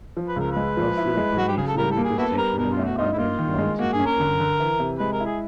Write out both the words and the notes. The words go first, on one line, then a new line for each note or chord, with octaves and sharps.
Mostly the financially weaker section among otherwise well to do jains.
F3
B4
C#2 A#4
G#3 B4
F3
E4
G#3
F#3 F#4
G4
C#3 G#4
A4
G3 A#4
A4
A#3
G#4
B3 E4 F#4 A4
G3 A#4
B2 A#4
F4
A3
F#4
D#4 F4
E4
A#3 F4
D#3
G#3
A#3 F#4
G#4
C#4
A#4
D3
D3
E3
C3
G#3 B4
A#4
E4
G#4